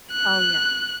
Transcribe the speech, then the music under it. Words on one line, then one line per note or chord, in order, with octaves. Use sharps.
Oh, yeah.
F#6